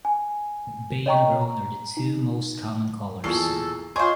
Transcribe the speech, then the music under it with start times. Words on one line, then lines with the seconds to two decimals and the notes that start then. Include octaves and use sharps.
Bay and roan are the two most common colors.
0.05 G#5
1.06 C#5 D#5 G5 A#5 C#6
1.41 A#5
1.97 D#4
3.24 E2 A#2 G#4 A4 C#6 C7
3.96 F4 G#4 C5 C#5 D#5 C6 C#6